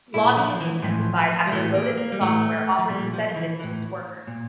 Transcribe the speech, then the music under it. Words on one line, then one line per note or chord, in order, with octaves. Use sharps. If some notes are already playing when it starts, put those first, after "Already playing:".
Lobbying intensified after Lotus software offered these benefits to its workers.
A#2 E4
F3
E3
A2 E3 F3
G3
A2 E3 A3
A#3
A#3
G3
A2 E3 A3
F3
A#2 G3
F3
E3
A2 E3
A#2